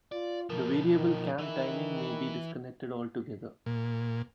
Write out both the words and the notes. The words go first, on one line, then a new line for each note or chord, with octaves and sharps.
The variable cam timing may be disconnected altogether.
F4 D5
B2 F3 A#4
D#3
D#3 E3 E4
A#2